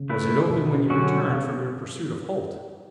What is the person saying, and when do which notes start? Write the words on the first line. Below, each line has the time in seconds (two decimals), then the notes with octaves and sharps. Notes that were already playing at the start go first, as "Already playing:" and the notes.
'Was it open when you returned from your pursuit of Holt?'
Already playing: C#3
0.09 A3 E4 B4
0.50 B2
0.90 D3 F#3 C#4 F#4
1.30 C#3